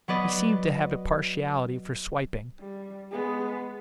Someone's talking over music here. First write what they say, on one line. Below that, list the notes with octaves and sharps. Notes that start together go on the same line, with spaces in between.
He seemed to have a partiality for swiping.
F#3 B3 B4 D5 D#5
G3
G#3 B3